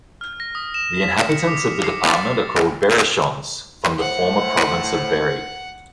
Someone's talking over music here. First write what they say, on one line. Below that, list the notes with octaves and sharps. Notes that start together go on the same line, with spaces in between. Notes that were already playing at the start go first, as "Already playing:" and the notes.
The inhabitants of the department are called "Berrichons" from the former province of Berry.
F6
A#6
D#6
E7
B6
C#7
D6
C7
A6
A2 C5 F#5